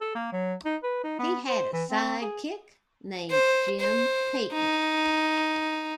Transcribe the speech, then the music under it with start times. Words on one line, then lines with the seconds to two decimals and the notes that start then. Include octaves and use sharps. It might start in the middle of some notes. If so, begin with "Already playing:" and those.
He had a sidekick named Jim Peyton.
0.01 A4
0.15 A#3
0.32 F#3
0.65 D#4
0.83 B4
1.04 D#4
1.19 B3
1.49 C5
1.73 E3
1.90 C4
2.22 G#4
3.31 C5
3.80 C5
4.52 D#4